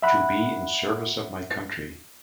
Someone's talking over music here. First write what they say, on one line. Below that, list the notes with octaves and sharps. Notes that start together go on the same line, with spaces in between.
To be in service of my country.
E5 F#5 B5 F#6